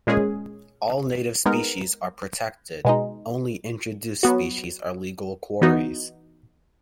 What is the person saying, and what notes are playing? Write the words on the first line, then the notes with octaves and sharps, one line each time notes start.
All native species are protected, only introduced species are legal quarries.
A#2 G#3 C#4 G#4
G#3 B3 D#4 A#4
B2 G#3 D#4
F#3 B3 F#4
E3 B3 D#4 F#4